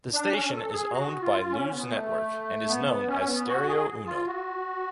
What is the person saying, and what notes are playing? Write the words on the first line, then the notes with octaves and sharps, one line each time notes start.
The station is owned by Luz Network and is known as Stereo Uno.
D4
C#4
A4
G#4
F#4
F4
C#4
B3
A3
B3
B3
C#4
B3
F#4
G#4
F4
F#4